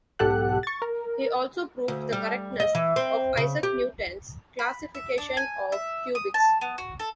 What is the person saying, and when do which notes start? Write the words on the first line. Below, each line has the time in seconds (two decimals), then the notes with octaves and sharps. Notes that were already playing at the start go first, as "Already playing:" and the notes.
He also proved the correctness of Isaac Newton's classification of cubics.
0.19 B1 G#2 G4 A4 F#5 F#6
0.63 C#6 A6
0.82 A#4
1.88 D2
2.13 G3
2.60 D#5
2.75 E3
2.96 C4
3.37 C#3
3.63 G4
4.59 B5
4.95 E5
5.18 D4
5.37 G#5
5.72 E5
6.15 D#6
6.34 A5
6.61 B3
6.78 F#4
7.00 A4